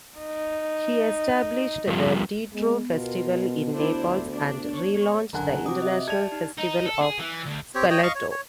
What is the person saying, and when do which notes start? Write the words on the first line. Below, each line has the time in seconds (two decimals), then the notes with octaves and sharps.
He established the Teatro Festival in Naples and re-launched the International Festival of Spoleto.
0.19 D#4
1.88 G2 F3 G3
2.54 G#3 B3
2.91 B2 F4 A#4
3.74 D2 D4 E4 C5
4.34 D4
4.74 C#5
5.33 F#1 D3 F#5 G#5 A#5 F#6
5.66 C3 C4 F#4 D6 D#6
5.82 D#5 E5
6.08 G4 D5 A5 G#6 F7
6.32 D#4
6.57 D#4
6.86 A4
7.01 G#4
7.19 E3
7.45 D2
7.75 C4 G4 C#5
7.90 C#5 D#5 G5
8.03 D#5 F5 C#6
8.15 C#5
8.31 C#5